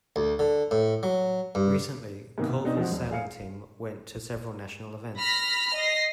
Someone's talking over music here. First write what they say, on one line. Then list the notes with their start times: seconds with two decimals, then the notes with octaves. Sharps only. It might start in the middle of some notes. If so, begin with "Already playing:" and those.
Recently Culver's sailing team went to several national events.
0.16 D2
0.39 D3
0.71 A2
1.03 F#3
1.55 G2
2.38 G#2 C3 D#3 A#3 B3
2.49 B2
2.64 G#3 B3 C4 D4 D#4
2.77 F3 G#3 C4 F#4
2.91 E1
3.11 G#4 F5 C#7
5.18 B5 F6 A#6 B6
5.75 D#5 A#6 C7